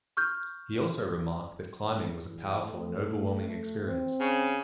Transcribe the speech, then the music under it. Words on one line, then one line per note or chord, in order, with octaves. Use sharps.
He also remarked that climbing was a powerful and overwhelming experience.
C#6 F6 G6
E2
A3
C4
C#3